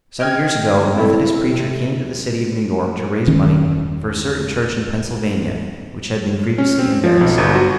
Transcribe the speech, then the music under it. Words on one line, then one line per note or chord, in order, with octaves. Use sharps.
Some years ago a Methodist preacher came to the city of New York to raise money for a certain church in Pennsylvania which had been grievously embarrassed.
D#5 G5 F6 G#6
C4 E4 A4
C3
E1 D#3 C#4
C#4
C4
F3
B1
G1
F#4